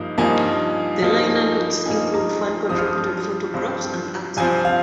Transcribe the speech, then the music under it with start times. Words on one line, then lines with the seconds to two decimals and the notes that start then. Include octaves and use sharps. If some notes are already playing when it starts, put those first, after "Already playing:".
The liner notes include fan-contributed photographs and art.
Already playing: G2 F3 A#3 D#4
0.18 G2 F3 A#3 D#4 G#5
1.02 G2 F3 A#3 D#4
1.86 G2 F3 A#3 D#4 G#5
2.14 A#5
2.41 C6
2.69 G2 F3 C4 D#6
2.78 F6
2.87 D#6
3.54 G2 F3 C4
4.37 G2 F3 C4 G#5
4.65 F5